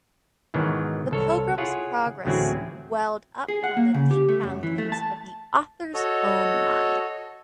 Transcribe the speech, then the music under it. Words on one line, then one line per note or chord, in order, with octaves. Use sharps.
The Pilgrim's Progress welled up from the deep fountains of the author's own mind.
G#2 B2 D#3 E3 F#3
C2 A4 C#5
E4 F4 G#4 C#5 F#5
A1 D2 F#3 C4 E4 G#4
G#4
F#5
A#3
C#3
G4
A3
F#2
E3
A3
A5
F#4 A4 C#5 D#5